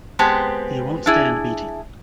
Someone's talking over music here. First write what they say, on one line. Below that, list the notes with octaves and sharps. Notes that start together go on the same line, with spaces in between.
He won’t stand beating.
G#3 B3 C4 G4 A5
D4 E4 G#4